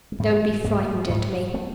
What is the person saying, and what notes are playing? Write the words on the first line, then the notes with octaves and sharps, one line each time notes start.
Don't be frightened at me.
G#3
G#2 G3 A3
G#2 G#3 A#3
G#2
A3 B3